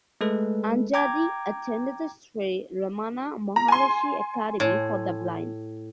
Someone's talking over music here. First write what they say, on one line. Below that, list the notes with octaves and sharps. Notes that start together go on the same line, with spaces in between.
Angadi attended the Shree Ramana Maharishi Academy for The Blind.
G#3 A3 A4 B4
G5 A#5 D6 G#6
A#5
G#5 C6
A2